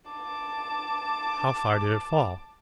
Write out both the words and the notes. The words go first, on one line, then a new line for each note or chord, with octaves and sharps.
How far did it fall?
A5 D6